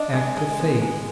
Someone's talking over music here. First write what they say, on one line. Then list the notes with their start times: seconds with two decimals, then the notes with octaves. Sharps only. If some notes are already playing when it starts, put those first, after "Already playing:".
Act of Faith.
Already playing: D4 D#5
0.13 G#3
0.37 G#3
0.60 B3
0.82 G#3